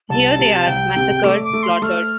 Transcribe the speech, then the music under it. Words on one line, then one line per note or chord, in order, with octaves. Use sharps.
Here they are massacred, slaughtered.
C2 A5
C3
C2 G5
C3
A3 D6
D6
A3
C6
A3 F6